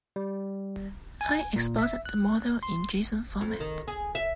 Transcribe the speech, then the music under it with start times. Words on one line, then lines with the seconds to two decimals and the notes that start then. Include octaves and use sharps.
I exported the model in json format.
0.16 G3
1.21 G#5
1.56 A#2
1.78 E5
2.05 F#6
2.63 C6
3.41 F2
3.60 D#3
3.88 G#4
4.15 E5